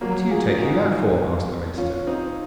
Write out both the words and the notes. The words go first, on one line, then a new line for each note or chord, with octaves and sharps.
'What are you taking that for?' asked the minister.
F#3 A#3
F4 G#4
D#4 F#4
C#4 F4
C4 D#4